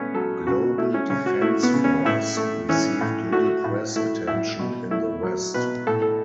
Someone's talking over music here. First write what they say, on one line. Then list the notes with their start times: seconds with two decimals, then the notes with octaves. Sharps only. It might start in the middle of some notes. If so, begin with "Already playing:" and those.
"Global Defence Force" received little press attention in the West.
Already playing: A3 B3 C#4
0.15 F#3 A4
0.47 C#3 F#4
0.78 A3 E4
0.94 C#4
1.10 C#3 C#4
1.26 F#4
1.41 A3 E4
1.63 B3
1.74 C#3
1.84 C#4
2.05 A2 E4
2.37 A3
2.69 E3 C#4
3.01 A2
3.32 A3 F#4
3.64 A2
3.96 A3 E4
4.27 A2 E4
4.59 B2
4.91 A3 E4
5.23 F#3
5.54 B2 B4
5.87 A2 A4
6.02 A4